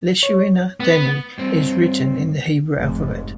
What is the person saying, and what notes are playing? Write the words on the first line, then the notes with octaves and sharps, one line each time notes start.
Lishana Deni is written in the Hebrew alphabet.
C#5
B3
G2 C4
F1 G#2